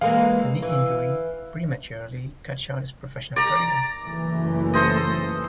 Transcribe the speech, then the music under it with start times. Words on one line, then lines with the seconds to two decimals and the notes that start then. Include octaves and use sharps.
A knee injury prematurely cut short his professional career.
0.01 E3 G#3 A#3 F5
0.62 E3
3.36 D5 A#5
4.05 F#1 E3 A3
4.73 A4 C5 D#5